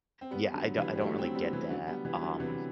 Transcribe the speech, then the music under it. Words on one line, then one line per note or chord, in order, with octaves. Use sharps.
Yeah, I don't I don't really get that, um
C4
G3 B3
D3 F#3
E3 G3
G3
F#3 A3
A3 C4
G3 B3
E3 G3
D3 F#3
G3 B3
E3 G3
G3
D3 F#3
C3 E3